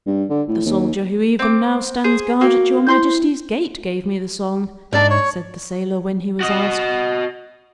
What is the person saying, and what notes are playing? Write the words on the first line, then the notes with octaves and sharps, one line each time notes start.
"The soldier who even now stands guard at your majesty's gate gave me the song," said the sailor when he was asked.
G2
D3
A2
D#2
C4 D6
G#4 C5
A#3 F#4
E4 C5 C6 G6
G#2 D4 D5
C#5
F#4 D#5